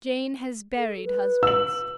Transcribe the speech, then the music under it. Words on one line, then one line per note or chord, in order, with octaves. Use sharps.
Jane has buried husbands.
A4
B4
E6 F#7